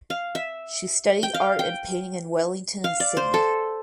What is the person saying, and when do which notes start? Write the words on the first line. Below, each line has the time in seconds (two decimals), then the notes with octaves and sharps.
She studied art and painting in Wellington and Sydney.
0.10 F5
0.35 E5
1.23 G5
1.34 F5
1.59 G5
2.84 F5
3.00 D5
3.17 C5
3.34 A4